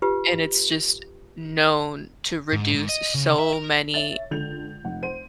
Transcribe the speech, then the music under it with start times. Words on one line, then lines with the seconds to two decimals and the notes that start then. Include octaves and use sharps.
and it's just known to reduce so many,
0.02 F4 G4 B4
2.53 G#2
2.75 G#2
2.89 D#5
3.14 C#3
3.39 E5
3.53 A#4
3.94 C#5 E5 A6
4.31 C#2 D3 G6 F7
4.84 F1 F#5
5.03 C5 D#7